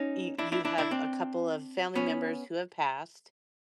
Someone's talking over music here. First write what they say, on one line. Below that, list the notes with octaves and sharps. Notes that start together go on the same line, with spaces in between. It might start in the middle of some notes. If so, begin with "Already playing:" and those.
you you have a couple of family members who have passed,
Already playing: C#4 D#4
D4 E4
D4 E4
D4 E4
D4 E4
C4 D4
B3 C#4